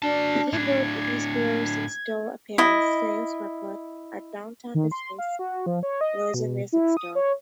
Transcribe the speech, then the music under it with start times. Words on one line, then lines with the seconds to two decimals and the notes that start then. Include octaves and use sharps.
He broke Britney Spears' in-store-appearance sales record at Downtown Disney's Virgin music store.
0.02 D4 F#4 A5
0.53 A2 D4 G#6
2.58 E4 D#5
4.75 D#3
4.92 C6
5.19 F5
5.39 F#4
5.66 F3
5.83 C#5
6.01 D#5
6.34 B2
6.73 E4
6.97 D#6
7.15 C#5